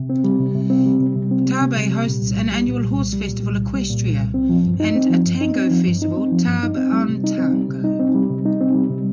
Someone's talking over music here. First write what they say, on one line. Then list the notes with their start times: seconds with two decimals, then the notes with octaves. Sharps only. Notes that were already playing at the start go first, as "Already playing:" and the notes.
Tarbes hosts an annual horse festival, Equestria, and a Tango festival, Tarbes en Tango.
Already playing: C3
0.10 C4
0.24 G3
0.40 C3
0.55 C3
0.70 C4
0.86 G3
1.00 C3
1.16 C3
1.31 C4
1.46 G3
1.61 C3
1.76 C3
1.91 G3
2.07 A#2
2.22 C2
2.38 C2
2.52 G3
2.67 A#2
2.83 C2
2.97 C2
3.13 G3
3.29 A#2
3.43 C2
3.58 C2
3.74 G3
3.90 A#2
4.04 C2
4.20 C2
4.34 C4
4.49 F3
4.66 G2
4.80 D#4
4.96 C4
5.10 F3
5.26 G2
5.41 D#4
5.56 C4
5.71 F3
5.87 G2
6.02 D#4
6.17 C4
6.32 F3
6.47 G2
6.63 D#4
6.77 C4
6.93 G3
7.09 C3
7.24 D#4
7.38 C4
7.53 G3
7.69 C3
7.84 D#4
7.99 C4
8.15 G3
8.30 C3
8.45 D#4
8.61 C4
8.75 G3
8.90 C3